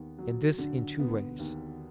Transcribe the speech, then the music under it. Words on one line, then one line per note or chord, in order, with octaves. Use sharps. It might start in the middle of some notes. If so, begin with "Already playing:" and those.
And this in two ways.
Already playing: D#2 B3
F#3
D3
B3
D#2